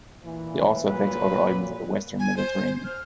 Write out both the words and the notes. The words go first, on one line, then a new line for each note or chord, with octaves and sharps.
It also affects other islands of the Western Mediterranean.
A#2 E3
A#2 F#3 B4
G#5
C5
F6